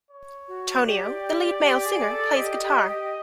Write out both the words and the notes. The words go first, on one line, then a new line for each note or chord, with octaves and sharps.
Tonio, the lead male singer, plays guitar.
C#5
F#4
G4 D5
G4
G#4
A4
G4 D#5
G4
G4